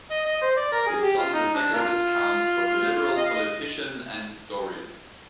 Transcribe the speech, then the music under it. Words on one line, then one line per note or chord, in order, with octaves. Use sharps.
His son, the second Viscount, was a Liberal politician and historian.
D#5
D#5
C5
D5
A#4
G#4
G4
F4
D#4
D4
A#3 D4 F4
D#5
F5
D#5